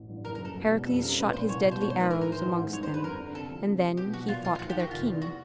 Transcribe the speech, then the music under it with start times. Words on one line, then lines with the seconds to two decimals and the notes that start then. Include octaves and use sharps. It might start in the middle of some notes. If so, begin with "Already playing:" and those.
Heracles shot his deadly arrows amongst them, and then he fought with their king.
Already playing: A1
0.09 G2
0.24 F#1 A#4
0.35 A#4
0.40 F#2 A4
0.56 B2
0.71 G3
0.86 F2 A4
1.02 C#3 A#4
1.18 A#1 B4
1.33 A#2 C5
1.49 C2 C#5
1.64 B2
1.71 C5
1.81 G#1 C#5
1.90 C5
1.95 G#2
2.00 B4
2.11 A2 A#4
2.21 A#4
2.27 E3
2.32 C5
2.43 A1
2.58 G#2
2.73 G2 C#5
2.83 C5
2.89 D3 B4
3.04 F2 A#4
3.20 D3
3.35 C3 A4
3.51 F3
3.67 C3
3.82 F3
3.97 B2 G4
4.13 F#3 F#4
4.29 A#2 F4
4.43 F3 F4
4.55 F4
4.59 D#2 F#4
4.70 G4
4.75 D#3 F#4
4.91 F1 F4
5.06 E2
5.22 F#4